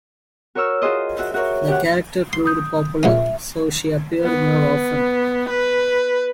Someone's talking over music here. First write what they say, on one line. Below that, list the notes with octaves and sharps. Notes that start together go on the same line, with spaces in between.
The character proved popular, so she appeared more often.
F#4 A#4 C#5 C#6 E6 F6
F4 F#4 G#4 C5 D#5
F#4 E5
F#4 A#4 C#5
G4 F#5
C6
D#6 G6
A#2 G#3 C#4 E5
B3
B4